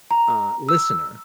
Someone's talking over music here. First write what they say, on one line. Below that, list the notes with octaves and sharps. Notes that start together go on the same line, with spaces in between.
uh, listener?"
A#5
E6